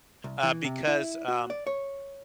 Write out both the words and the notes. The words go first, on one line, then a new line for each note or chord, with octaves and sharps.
uh, because, um
C2
E3
C3
E4
F#4
D5
C#5